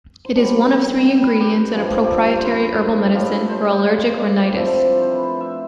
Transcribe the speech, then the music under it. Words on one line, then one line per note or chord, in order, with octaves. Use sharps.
It is one of three ingredients in a proprietary herbal medicine for allergic rhinitis.
C5
B2 G3 D4 D5
G5
B4
G4
G2 F3 A3
G4
A4
C5
B4
A2 G3 D4 F4
C5
D5
C3 F3 A3 E4
C5
C5
B4
C5
E5